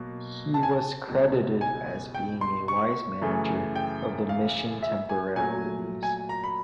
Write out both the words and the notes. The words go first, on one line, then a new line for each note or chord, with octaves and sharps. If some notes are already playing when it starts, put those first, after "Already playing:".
He was credited as being a wise manager of the mission temporalities.
Already playing: B2 F#3 A#3
A5
G#5
A5
C#2 B2 G3
G#5
G5
C6
C#6
F#2 C#3 E3 A3
G5
F5
E5
G#5
A#2 F#3 A3 G#5
G#5
A#5
B5